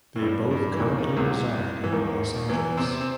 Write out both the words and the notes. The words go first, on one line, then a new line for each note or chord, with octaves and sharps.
They both currently reside in Los Angeles.
A2
G2
G2
E3
D#2 D#3
D#2 D#3
C2 C3
E3
D#2 D#3
E2 E3
C3 C4
C4